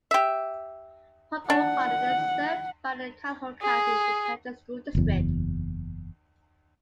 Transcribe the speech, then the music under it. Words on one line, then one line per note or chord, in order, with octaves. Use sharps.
Port O'Connor is served by the Calhoun County Independent School District.
G4 E5
D4 F#5
G#4
F#1 E2